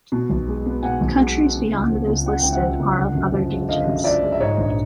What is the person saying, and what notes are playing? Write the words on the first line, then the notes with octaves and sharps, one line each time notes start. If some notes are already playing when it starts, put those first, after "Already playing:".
Countries beyond those listed are of other gauges.
B2
B1
G#3
B3
B2 F#5 G#5
B1
G#3
B3
C#3
C#2
F3
C#2
C#3 F#5
C#2 G5
E5 F#5
F3
C#2
D3
F#2
F3
G#3
D3 D#5 F5
F#2
F3 D5 E5
G#3
E5
G#2 C#5 D#5
A#1